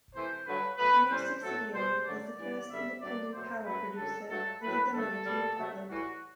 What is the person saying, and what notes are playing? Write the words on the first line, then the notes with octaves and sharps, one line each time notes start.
The new subsidiary was the first independent power producer in the Dominican Republic.
C3 E3 A3 C5
G2 D3 F#3 A3 B4
B2 F#3 A3 B4
A2 E3 G3 C5
A2 F#3 A3 A4
B2 G3 C5
F#2 D3 F#3 A3 D5
G2 E3 G3 D5
F#2 D3 G3 E5
G2 F#3 A3 D5
B2 F#3 A3 C5
F#2 F#3 A3 B4
F#2 D3 F#3 A4
G2 F#3 A3 A4
A2 F#3 A3 B4
G2 D3 A3 A4
B2 G3
C3 F#3 A3
A2 E3 G3 F#4